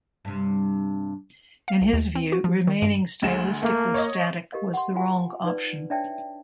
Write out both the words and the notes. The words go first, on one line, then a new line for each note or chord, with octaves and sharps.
In his view, remaining stylistically static was the wrong option.
G2 C3
F5
C2
D#2
C4
F#4
F3
D#3
G2
D2 G#3 E7
A3 A#3
C#5 D#5
G4 A#4 D#5 F5
F#5 C6
F4 F5 F#5 G#5
D#4 B4 D5
D4 C#5 D5 E5 G5 A5